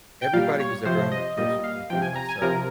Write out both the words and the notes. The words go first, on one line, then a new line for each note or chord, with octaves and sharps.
everybody who's ever owned a juicer, to include myself,
G5
A#2 G3 F5
C#5
C3 F3 C5
D#5
A#2 G3 D#5
F5
C3 F3 G5
G#5
A#5
G#5
C3 F3 A#4